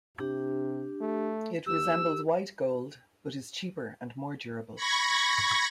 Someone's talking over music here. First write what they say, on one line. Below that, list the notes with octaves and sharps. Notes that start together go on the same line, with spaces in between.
It resembles white gold, but is cheaper and more durable.
C3 D4 G4
A3
D#2 G4 E6
B5 C#6 G#6 A#6